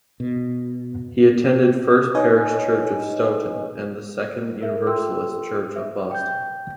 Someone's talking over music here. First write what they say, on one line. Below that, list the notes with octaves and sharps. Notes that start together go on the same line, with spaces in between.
He attended First Parish Church of Stoughton and the Second Universalist Church of Boston.
B2
D#4 B4 C#5 D#5 G#5
A#4 E5
F4 A4 G5 C6 E6
E5
G5 G6